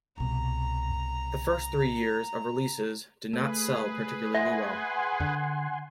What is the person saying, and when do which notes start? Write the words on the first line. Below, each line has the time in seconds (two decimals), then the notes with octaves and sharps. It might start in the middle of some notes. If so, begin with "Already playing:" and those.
The first three years of releases did not sell particularly well.
0.18 C2 B2 A#5
3.34 A3 G#4 B4
4.35 E5 F#5 G#5 C6
5.20 D3